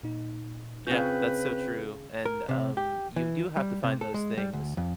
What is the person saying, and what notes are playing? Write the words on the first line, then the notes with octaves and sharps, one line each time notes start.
Yeah. That's so true, and, um, you do have to find those things
A#2 D#4
C#3 C4 C#4 F4 B4 G6
A#4
C3
G4
E3
G3
C3
A4
G#3
G3
D2
F2